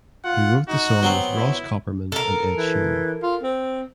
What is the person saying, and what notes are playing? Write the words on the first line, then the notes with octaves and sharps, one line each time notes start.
He wrote the song with Ross Copperman and Ed Sheeran.
F4 F#5
D#4 F#4
F#3 B3 C4
E4
A4 A#4
E3
F4
C4